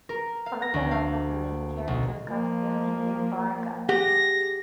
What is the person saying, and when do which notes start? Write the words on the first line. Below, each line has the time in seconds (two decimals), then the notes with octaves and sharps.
One of the novel's main characters got the family name "Barga".
0.09 A#4
0.46 F5
0.62 A#6
0.74 D2
0.91 F5
1.88 B1
2.26 F3 A#3
3.89 G4 G#4 F#5 A#6